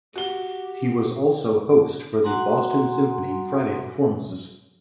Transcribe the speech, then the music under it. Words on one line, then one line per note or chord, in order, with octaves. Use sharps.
He was also host for the Boston Symphony Friday performances.
F#4 G4 G7
F#4 F#5 G#5 A#5 C6